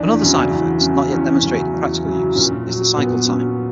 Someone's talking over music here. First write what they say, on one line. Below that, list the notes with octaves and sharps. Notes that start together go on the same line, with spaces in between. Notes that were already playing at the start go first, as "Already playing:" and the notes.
Another side effect, not yet demonstrated in practical use, is the cycle time.
Already playing: E2 D4
C#3 F#3
E2
C#3 F#3
E2 C#4
C#3 F#3
E2
C#3 F#3
A#2 C#4
F#3
A#2 B3
F#3 C#4